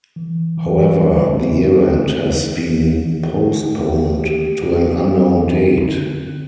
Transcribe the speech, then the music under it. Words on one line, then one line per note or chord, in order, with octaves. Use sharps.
However, the event has been postponed to an unknown date.
E3
E3
G3
C4
C4
E4
E4
E3
D3
D3
G4
C4
C4
C4
D3
D3